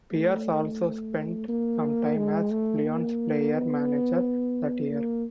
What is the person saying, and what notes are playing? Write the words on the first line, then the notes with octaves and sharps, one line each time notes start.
Pierce also spent some time as Leon's player-manager that year.
A3
A#3
G#3
A3
A#3
B3
A#3